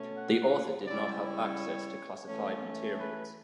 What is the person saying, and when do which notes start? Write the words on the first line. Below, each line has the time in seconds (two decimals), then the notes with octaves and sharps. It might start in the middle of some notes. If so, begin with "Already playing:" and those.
The author did not have access to classified materials.
Already playing: B2 A3 C#4
0.14 F#5
0.85 C#3 G3 C#4 E4 D5
1.20 C#5
2.26 E3 A3 C#4
2.97 B4